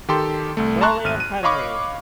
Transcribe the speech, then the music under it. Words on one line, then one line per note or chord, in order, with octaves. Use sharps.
William Henry.
D#3 G4 A4 C6
C2 A3
A5 A#5 C6 C#6 F#6
G#1 F6 D#7
D#7
C#5 D#5 F5 B5 C#6 D6